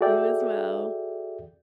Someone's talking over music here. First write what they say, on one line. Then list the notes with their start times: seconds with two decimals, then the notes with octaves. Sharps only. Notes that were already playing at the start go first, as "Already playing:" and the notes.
You as well.
0.01 F#4 G#4 A4 D5 E5 G5